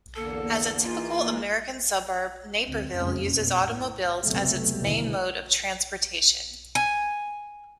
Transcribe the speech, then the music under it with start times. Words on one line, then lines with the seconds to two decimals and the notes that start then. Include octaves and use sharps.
As a typical American suburb, Naperville' uses automobiles as its main mode of transportation.
0.16 E2 D3 A#3 A4 A5
0.84 E3 D#4 F4 G#4
2.66 D2 C4
2.95 F#1 F2 C#3 G#3 C#4
3.33 B2
3.66 A2
4.24 F#1 C#2 C3 F#3 A3 B3
4.81 D#2 B2 D3 E3
6.75 G#5